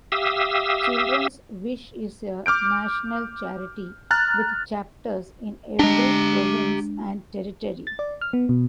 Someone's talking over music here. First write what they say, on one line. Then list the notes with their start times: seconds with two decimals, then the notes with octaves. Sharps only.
Children's Wish is a national charity with chapters in every province and territory.
0.12 G4 E5 F5 D#6 E6
2.46 D6 F6 G6 D7
4.11 A#5 F6 F#6 A6
5.79 G#3 D4 G4 A#5
7.87 A6
7.99 D5
8.21 F6
8.33 B3
8.49 B2